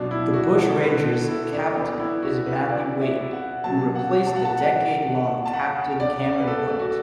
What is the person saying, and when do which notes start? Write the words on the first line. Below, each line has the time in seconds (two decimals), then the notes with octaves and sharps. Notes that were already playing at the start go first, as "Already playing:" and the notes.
The Bushrangers' captain is Matthew Wade, who replaced the decade-long captain Cameron White.
Already playing: B2 F#3 D4
0.11 E4
0.33 F#4
0.58 A4
0.81 B4
1.04 A4
1.28 E4
1.52 D4
1.76 B3
2.00 E4
2.22 F#4
2.46 B4
2.69 D5
3.01 E5
3.33 F#5
3.64 B2 F#3 A5
3.95 F#5
4.27 A5
4.36 F#5
4.45 A5
4.58 F#5
5.45 A5
5.53 F#5
6.00 D5
6.40 B4
6.47 A4
6.79 F#4